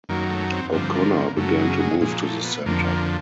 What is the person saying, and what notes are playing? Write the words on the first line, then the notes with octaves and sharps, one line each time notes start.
O'Connor began to move to the center.
F#2 D#3 F#3 A#3
A3
C4
G2 D3 F3 C4
A#3
A#3
F#2 C#3 F#3 A3
G#3
G#3
A#2 F3 G#3
A3
B3
F2 D3 F3 A#3
A#3